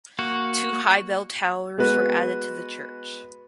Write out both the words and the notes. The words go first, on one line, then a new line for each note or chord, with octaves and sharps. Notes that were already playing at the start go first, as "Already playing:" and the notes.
Two high bell towers were added to the church.
A#3 F#4
G#3 B3 F#4 B4